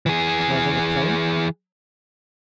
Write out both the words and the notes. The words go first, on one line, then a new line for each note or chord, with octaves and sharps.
"Where they are playing?"
E3 G#4